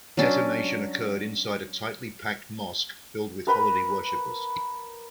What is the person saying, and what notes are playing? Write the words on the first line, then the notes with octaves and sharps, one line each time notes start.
Detonation occurred inside a tightly packed mosque, filled with holiday worshippers.
F#3 C#4 D4
A#4 B4 A#5 B5